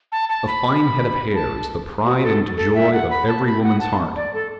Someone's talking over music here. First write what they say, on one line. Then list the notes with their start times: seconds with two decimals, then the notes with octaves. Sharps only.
A fine head of hair is the pride and joy of every woman's heart.
0.12 A5
0.29 A5
0.47 B5
1.35 A5
2.06 F#4
2.23 A4
2.57 A4
2.75 E5
2.93 F#5
3.10 B5
3.28 A5
3.46 B5
3.63 F#5
3.81 A5
4.16 D5
4.34 A4